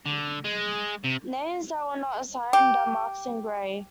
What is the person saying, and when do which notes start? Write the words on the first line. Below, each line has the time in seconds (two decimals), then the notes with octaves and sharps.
Names that were not assigned are marked in gray.
0.06 D3
0.44 G#3
1.04 C3
2.53 G4